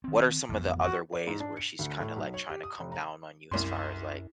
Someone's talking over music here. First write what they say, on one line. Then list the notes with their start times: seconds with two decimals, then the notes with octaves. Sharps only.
what are some of the other ways where she's kinda, like, trying to come down on you as far as, like,
0.04 D#3 C4
0.49 A1 F2 B3
0.80 F#4
1.12 D5
1.27 G#2
1.40 D4
1.57 C#7
1.79 D2
2.00 A2
2.16 B1
2.34 C#5
2.49 G4
2.63 D#6
2.80 F1
2.92 A#5
3.51 C2 F#2 C6